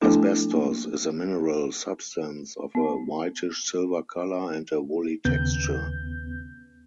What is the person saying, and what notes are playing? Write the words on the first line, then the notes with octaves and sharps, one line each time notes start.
Asbestos is a mineral substance of a whitish silver color and a woolly texture.
F3 A3 B3 D4 E4 A4
A#3
B3
D#2 C#3 B3 G6